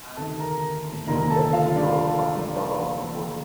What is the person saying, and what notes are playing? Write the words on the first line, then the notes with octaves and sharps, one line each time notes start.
You bet your bottom dollar we would!
D2 C3 D#3 A4 A5
A#4 A#5
F1 D#2 D3 F3 A#4 A#5
A4 A5
F4 F5
D4 D5